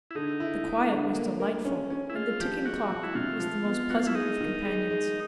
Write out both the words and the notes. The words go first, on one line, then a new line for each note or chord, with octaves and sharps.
The quiet was delightful, and the ticking clock was the most pleasant of companions.
E4
D3 D#4
E4
E4
D3
A#3
A#4
C#4
C#4
E4
G#3 F4
F3 G4
G#3 F#4
F3
E4
C3 F4
F3
B3
B3 F#4
F4
E4
G#3 D#4
D#3
G#3
G#3